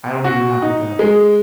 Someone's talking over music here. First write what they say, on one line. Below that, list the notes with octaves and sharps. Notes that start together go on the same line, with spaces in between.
I don't even have, like, a
F#4
D#4
G#3